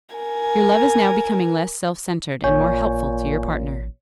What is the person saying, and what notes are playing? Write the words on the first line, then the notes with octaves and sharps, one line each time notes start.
Your love is now becoming less self-centered and more helpful to your partner.
A#4 G#5
A1 A#2 C#5 G#5 C#6 G6